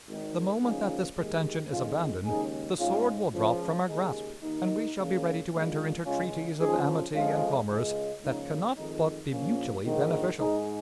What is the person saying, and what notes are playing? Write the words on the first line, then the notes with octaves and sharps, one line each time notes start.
The moment that this pretension is abandoned, the sword will drop from our grasp, and we shall be ready to enter into treaties of amity and commerce that can not but be mutually beneficial.
G#1 G#2 D#3
C#2 C#3 F3 A#3 D#4 G#4
D#2 D#3 G#3
F2 D#3 G#3 C#4 F4
D#2 C#3 G#3 D#4 G#4
G#2 G#3 C#4 F4
C#2 C#3 F3
D#2 C#3 G#3 D#4
D#2 D#3 A#3 D#4
C#2 C#3 A#3
A#1 A#2 G#3
C#2 C#3 G#3 C#4 F4
C#2 C#3 F3 D#4 G#4
F2 F3 G#3 C#4 F4
C#2 C#3 G#3
C#2 C#3 F3 A#3 D#4
F2 D#3 G#3 D#4
A#1 A#2 F3 A#3 C#4
A#1 G#2 D#3
G#2 G#3 D#4